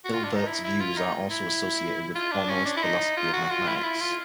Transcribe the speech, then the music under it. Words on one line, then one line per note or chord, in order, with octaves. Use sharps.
Hilbert's views are also associated with formalist philosophy of mathematics.
F#4
F4
D4
D#4
E4
E4
F4
D#4
E4
F4
D4
C#4
D4
E4
D#4
F4
F#4
F4
E4
F4
E4
F4